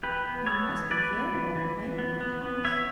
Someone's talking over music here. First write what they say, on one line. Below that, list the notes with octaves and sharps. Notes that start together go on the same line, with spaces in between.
"You must be very well acquainted with the house!"
E3 G4 B4
B3
B3 A4 C#5
E3
E3 B4 D5
B3
E3
E3
E3
B3
B3
B3
E3 C#5 E5